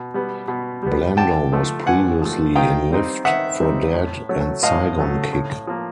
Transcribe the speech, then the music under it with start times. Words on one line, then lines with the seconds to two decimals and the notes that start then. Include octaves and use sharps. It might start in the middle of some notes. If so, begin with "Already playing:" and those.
Blando was previously in Left For Dead and Saigon Kick.
Already playing: B2
0.14 G3 B3
0.48 B2
0.83 G3 B3
1.17 D3 G5 A5
1.52 F3 A3
1.86 D3 F#5 G#5
2.22 F3 A3
2.56 D#3 F5 G5
2.91 G3 C4 D#4
3.25 D#3 E5 F#5
3.60 G3 C4 D#4
3.94 A2
4.29 F#3 A3 C#4
4.63 A2 D#5 F5
4.98 F#3 A3 C#4
5.33 A2
5.67 F3 A#3